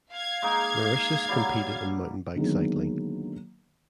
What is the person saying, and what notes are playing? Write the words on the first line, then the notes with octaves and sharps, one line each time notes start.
Mauritius competed in mountain bike cycling.
F5 G#6
G#3 A#3 D#4
F#3 G3
D3 D#3 F#3 G#3 A#3 B3